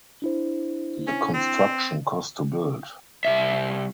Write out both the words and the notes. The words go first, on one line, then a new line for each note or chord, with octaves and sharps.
The construction cost to build.
D4 E4 C5
C#4
C4
C2 E5